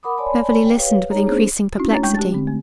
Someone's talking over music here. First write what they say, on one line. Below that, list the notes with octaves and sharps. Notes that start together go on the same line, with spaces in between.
Beverly listened with increasing perplexity.
A#4 F#5 B5 D6 D#6
C#5 D5 G#5 A5 B5 C6
G5
G4 B4 C#5 F5
D#4 G#4 C#5 A#5
A3 B3 C4 D4 G#4 C5
C#4 D#4 E4 F#4
A3 D4 C#5 A#5 A6
G#3 G5 C#6 G6
G4 A5 A6
D3 C4
A3